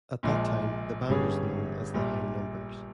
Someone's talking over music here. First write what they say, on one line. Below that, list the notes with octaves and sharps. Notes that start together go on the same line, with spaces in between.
At that time the band was known as the High Numbers.
A#1 A#2 F3 G#3
G1 G2 G3 C#4 G#4
A#1 A#2 G3